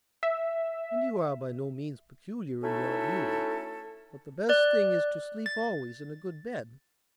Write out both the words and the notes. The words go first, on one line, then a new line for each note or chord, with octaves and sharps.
"And you are by no means peculiar in your view; but the best thing is to sleep always in a good bed."
E5
A3 C#4 D#4 E4 F#4 A4
D5 F#6
A6